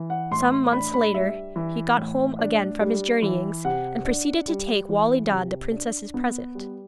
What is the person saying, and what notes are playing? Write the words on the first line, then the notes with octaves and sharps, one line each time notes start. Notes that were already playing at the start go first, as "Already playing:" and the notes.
Some months later he got home again from his journeyings, and proceeded to take Wali Dad the princess's present.
Already playing: E3
F#5
A2 C6
C6
D4 B5
B5
G3 E5
E3
A2
D4
G3
E3
C3 F#5
D4
G3
E3
C3
D4
B3
G3